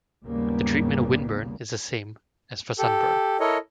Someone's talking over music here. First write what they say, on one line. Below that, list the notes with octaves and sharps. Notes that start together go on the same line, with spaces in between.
The treatment of windburn is the same as for sunburn.
G#1 D#2 C#3 G3 A#3 B3
G4 A4
E4 A4 A#4 C#5 D#5